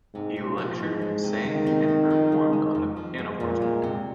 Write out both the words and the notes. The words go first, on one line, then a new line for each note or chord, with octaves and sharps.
He lectured, sang, and performed on the pianoforte.
G#2 C3
C4
A#2
F3
G#2 G#3
G#3
C3
D#3 G#3
C4
C4
F3
G#3
G#3
F2
F3
G#3
F2 A#2
G#3
C3